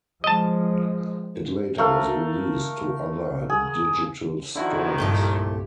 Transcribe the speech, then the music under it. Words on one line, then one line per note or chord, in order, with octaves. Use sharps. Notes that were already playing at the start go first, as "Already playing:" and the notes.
It later was released to other digital stores.
F3 G#3 D#5 A5
A3 A#4 F5
G#4
F2 D3 D#3 E4 F#4
C2 G2 A#2 A3 G4 G6